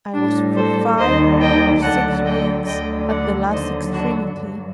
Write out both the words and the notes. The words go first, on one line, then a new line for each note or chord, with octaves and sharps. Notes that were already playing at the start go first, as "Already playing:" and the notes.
I was for five or six weeks at the last extremity.
A2 D4
G3
A4 C5
D#2 D#3 G3 C5 D#5
D#5 G5
D2 D3 F#3 F#5 A5
D#5 G5
D2 D3 F#3 D#5 G5
D5 F#5
D#2 D3 F#3 C5 D#5
D4 F#4
G2 F#3